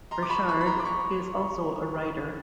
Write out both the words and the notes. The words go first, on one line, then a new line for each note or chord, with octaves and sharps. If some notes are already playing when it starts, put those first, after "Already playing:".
Burchard is also a writer.
A#5 C6
D6
B5 C#6
B5 C#6
B5
A#5 C6
D6
B5 C#6